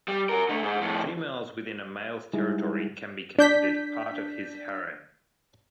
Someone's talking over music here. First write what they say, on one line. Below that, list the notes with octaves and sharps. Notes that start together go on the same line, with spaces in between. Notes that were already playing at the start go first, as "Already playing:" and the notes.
Females within a male's territory can be considered part of his harem.
G3
F#4 A#4
D3 A3
G#2
F2 A2
G3 G#3 D#4 E4 G#4
D4 G6 B6